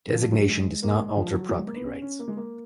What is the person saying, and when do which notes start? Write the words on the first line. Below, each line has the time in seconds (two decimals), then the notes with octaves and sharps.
Designation does not alter property rights.
0.14 F3
0.32 F#3
0.49 G#3
0.83 A#3
1.00 G#3
1.17 F3
1.34 F#3
1.49 F#3
1.59 G#3
1.67 A#3
1.76 B3
1.85 C#4
2.02 C#4
2.19 A#3
2.28 G#3
2.37 A#3